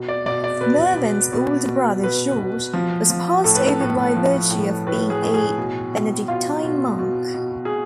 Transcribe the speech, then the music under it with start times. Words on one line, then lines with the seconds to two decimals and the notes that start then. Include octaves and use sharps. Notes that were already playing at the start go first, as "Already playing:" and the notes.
Mervyn's older brother George was passed over by virtue of being a Benedictine monk.
Already playing: B2
0.08 D5
0.26 B2 D5
0.44 D5
0.61 B2 B4
0.97 B2
1.33 B2
1.68 B2
2.03 B2 B4
2.38 B2
2.73 F3
3.10 F3
3.44 A2 A4
3.55 B4
3.66 A4
3.81 A2
4.16 F3
4.51 A2
4.87 A2 B4
5.10 G#4
5.22 A2
5.34 G#4
5.58 B2
5.93 B2
6.28 B2 F4
6.64 B2
6.99 B2
7.34 B2
7.65 G#4